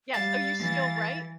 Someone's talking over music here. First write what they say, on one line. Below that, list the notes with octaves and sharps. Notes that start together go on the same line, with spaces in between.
Yes, so you still write?
G3 F5 A6
E3